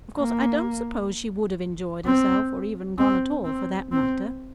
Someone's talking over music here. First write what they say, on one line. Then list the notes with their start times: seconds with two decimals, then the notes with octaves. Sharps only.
Of course I don't suppose she would have enjoyed herself--or even gone at all, for that matter.
0.19 A#3
2.06 C4
2.98 C4
3.44 C4
3.92 C4